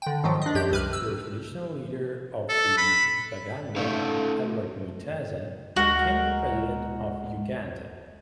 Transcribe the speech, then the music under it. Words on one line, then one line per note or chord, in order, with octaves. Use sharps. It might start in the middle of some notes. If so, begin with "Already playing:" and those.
The traditional leader of the Baganda, Edward Mutesa, became president of Uganda.
D3 G5
G#2 D#3 F3 F#3
D4 D#5
F#2 G4 G6
C2 B4 F6
E6
A4
B5
A3 C#4 D#4 F5
D2 G#3 D#4 F#4 A#4